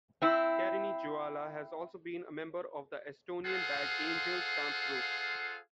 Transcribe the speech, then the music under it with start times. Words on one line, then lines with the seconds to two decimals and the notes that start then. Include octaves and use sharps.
Kariny Joala has also been a member of the Estonian Bad Angels dance group.
0.22 C4 E4
3.46 F4 G#4 A4 C5 F5 F#5